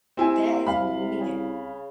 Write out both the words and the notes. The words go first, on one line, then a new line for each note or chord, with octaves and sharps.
That is weird.
C3 C4 E4 G#5
C2 F5 B5
C#3